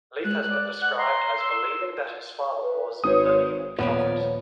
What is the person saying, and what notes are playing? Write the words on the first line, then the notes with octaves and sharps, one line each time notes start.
Leith has been described as believing that his father was "The Evil Prophet".
G#3 F#6
D5
F#5 F#6
A#5 C6
E6
B4
G#1 C5 C#5 D#6
D#1 F3 A#3 B3 C#5 D5 B5